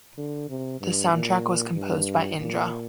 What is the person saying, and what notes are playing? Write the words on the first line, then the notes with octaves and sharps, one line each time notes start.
The soundtrack was composed by Indra.
D3
C3
G2
A#2
G2
A#2